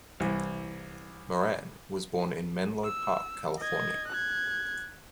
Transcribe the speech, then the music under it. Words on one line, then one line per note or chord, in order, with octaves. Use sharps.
Maran was born in Menlo Park, California.
C2 E3
E6
D#5 G#6
F#6 G#6